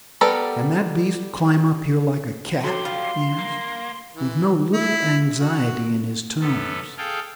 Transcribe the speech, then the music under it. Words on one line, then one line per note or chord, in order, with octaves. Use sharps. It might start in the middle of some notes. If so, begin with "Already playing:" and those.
"Can that beast climb up here, like a cat?" he asked, with no little anxiety in his tones.
G3 B3 A4 A#4
F#3 F#4 G4 A4 C#5 C6
F4 B5
A#3
E3
E4
F#4
F#2 B3 A4
G#4 A4 F5 G5